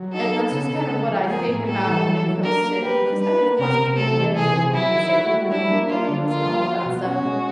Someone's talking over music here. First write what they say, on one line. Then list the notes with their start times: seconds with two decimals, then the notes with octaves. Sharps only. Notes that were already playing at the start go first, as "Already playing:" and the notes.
And that's just kind of what I think about when it comes to because I mean, of course, people lived in United States, like, you know, the native Indians and all of that stuff.
Already playing: F#3
0.13 D#4 A4
0.33 B3
0.52 C#3 A4
0.71 C#3
0.90 G#3
1.10 F3
1.28 A#3 G#4
1.48 A2
1.67 G3 A4
1.87 E3
2.05 F#3
2.25 F#3
2.43 D4 A#4
2.64 A#3
2.82 G4 B4
3.02 G3
3.20 D4 B4
3.39 A#3
3.59 C3 A#4
3.78 C3
3.97 A3 A4
4.17 E3
4.35 C3 G#4
4.55 C3
4.74 F#3 E4
4.94 D#3
5.13 F#4
5.32 G3
5.51 D4 E4
5.71 A#3
5.90 D4 F4
6.09 D3
6.27 A#3 F4
6.47 F3
6.66 F#4
6.86 B2
7.04 C#4 F#4
7.24 G#3